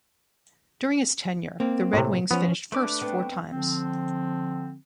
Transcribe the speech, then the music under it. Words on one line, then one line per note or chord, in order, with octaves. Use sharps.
During his tenure, the Red Wings finished first four times.
A#3 C4
A2 C3
F3 B3 C#4
A3 D4 B4 D6
B3 C4
D3 F3 C4